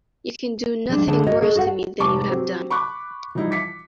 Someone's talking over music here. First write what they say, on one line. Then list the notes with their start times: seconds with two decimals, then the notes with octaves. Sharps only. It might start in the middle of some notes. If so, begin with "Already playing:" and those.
You can do nothing worse to me than you have done.
0.89 F3 G3 G#3 C4 D4
1.07 D2 D3 G#3 A3 G#4 A5
1.27 F#4 C#5 D#5
1.42 G#4 A4 C#5 D#5
1.56 F#4 A4 F5 F#5
2.00 F1 G#2 A5 C#6 D6
2.29 F#3 C4 G4
2.70 B5 C#6 D6 F#6
3.35 E3 F3 G3 D#4 E4
3.51 D6 B6 C#7